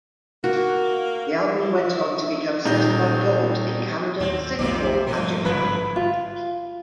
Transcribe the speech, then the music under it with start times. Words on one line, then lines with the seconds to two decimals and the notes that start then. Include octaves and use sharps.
The album went on to become certified Gold in Canada, Singapore, and Japan.
0.44 A#3 F#4
1.42 E4
2.65 D#1 D#4 G6
4.20 D#2 A2 C4
4.59 B1 F2 C3 D#3 A3 F4 C5 D5
5.07 G#2 B2 F3 G3 A3 F4 A#4
5.45 G1 C#3 E4 B4
5.96 F4